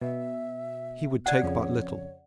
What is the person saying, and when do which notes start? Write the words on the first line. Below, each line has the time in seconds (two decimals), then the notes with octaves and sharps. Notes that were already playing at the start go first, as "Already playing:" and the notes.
He would take but little.
0.01 B2 E5
1.26 D5 F#5 F#6
1.43 F2 C#3 C#5